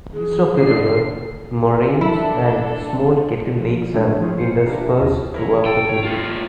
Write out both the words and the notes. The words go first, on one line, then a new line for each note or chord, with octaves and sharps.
East of the river, moraines and small kettle lakes are interspersed throughout the plain.
G#4
D3 A3 C7
D4 E4 A4
F3 F4
A#2 F3 G#3 A3 D4
F3 E4 F4 G#4 C5 C#5
F4 C5 C7 C#7
D4 G4 A#4 B4 E5
D#2 E4 F4 D#5 A5
E4 A#4 C#5
A4 C#5 G5
A3 C#5
A2 F4